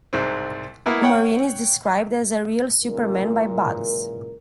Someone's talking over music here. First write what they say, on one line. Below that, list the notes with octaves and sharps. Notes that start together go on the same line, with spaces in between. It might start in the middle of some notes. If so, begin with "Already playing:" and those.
A Marine is described as "a real superman" by Bugs.
C2 G#2 C4
A#3 B3 E4 B4
C#5 F#5 G5
C#2 F#2 A#2 E3 A#4